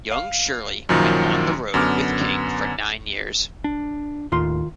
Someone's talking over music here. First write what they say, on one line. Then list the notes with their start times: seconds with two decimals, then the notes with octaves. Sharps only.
Young Shirley went on the road with King for nine years.
0.11 F5
0.89 F#2 A#2 D#3 F3 F#3
1.74 F#2 D3 B3 D6 F6
3.64 D4
4.32 D#2 A2 D#3 F4 C6